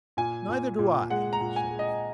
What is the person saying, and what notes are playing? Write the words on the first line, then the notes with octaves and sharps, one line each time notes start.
"Neither do I," said Bince.
A#2 G#5
A#2
A#2
G#3 F#5
A#5
A#2
G#5
G#3
D#5